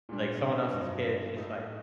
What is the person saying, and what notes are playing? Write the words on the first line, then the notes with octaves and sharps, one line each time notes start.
like, someone else's kids just, like,
A#2 G3 D4
G2 F#3 C4 D#4
A2 A3 D#4